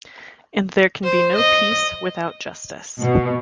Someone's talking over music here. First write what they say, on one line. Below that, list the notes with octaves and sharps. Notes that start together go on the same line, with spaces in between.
And there can be no peace without justice.
C5
D#5
B2